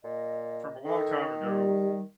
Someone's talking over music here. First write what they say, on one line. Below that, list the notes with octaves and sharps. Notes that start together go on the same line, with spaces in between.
from a long time ago
A#2 D#5
D#3 A4
G3